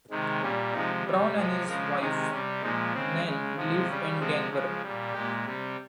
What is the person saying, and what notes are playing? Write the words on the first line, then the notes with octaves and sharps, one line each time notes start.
Brown and his wife, Nan, live in Denver.
C3 D#3 G#3
A#2 G3 C#4
C3 F3 G#3 D#4
C3 G3
C3 F3 G#3 G#4
C#3 F3 G#3 A#4
C3 D#3 G#3 G#4
C3 G3 C#4
A#2 F3 G#3 D#4
C#3 G#3 C4
C#3 G#3
C3 F3 G#3
C#3 G3 C#4
C3 F3 G#3 C4
C#3 F3 G#3
A#2 G3
A#2 G#3 G4
C3 G3